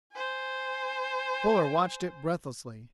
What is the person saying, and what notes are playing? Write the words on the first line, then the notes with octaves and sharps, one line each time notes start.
Fuller watched it breathlessly.
C5 G#5